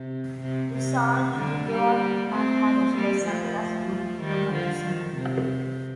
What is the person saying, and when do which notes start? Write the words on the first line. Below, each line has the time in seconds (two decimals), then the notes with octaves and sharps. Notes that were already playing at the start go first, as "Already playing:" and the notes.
Visage, DeLeon and Harris were assembled as a group to promote the single.
Already playing: C3
0.41 C3
0.73 C3
1.36 D3
1.68 G3 A#3
2.30 A3 C4
2.94 G3 A#3
3.25 F3 A3
4.20 D#3 G3
4.51 D3 F3
4.83 D#3
5.16 C3